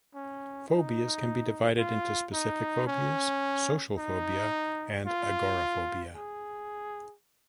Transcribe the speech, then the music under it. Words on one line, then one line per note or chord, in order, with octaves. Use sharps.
Phobias can be divided into specific phobias, social phobia, and agoraphobia.
C#4
D#4
F4
D#4
C#4
D#4
F4
G#4